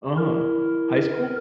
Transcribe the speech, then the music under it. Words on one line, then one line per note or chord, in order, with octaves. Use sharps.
Uh-huh. High school?
E4 A#4